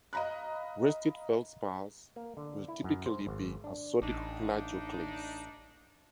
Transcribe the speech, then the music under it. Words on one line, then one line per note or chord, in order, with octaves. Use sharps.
Restite feldspars will typically be a sodic plagioclase.
D#5 F5 A#5 B5 F#6
A#3
D3
E4
F#2
C5
G#1
D4
A1 D4 D#4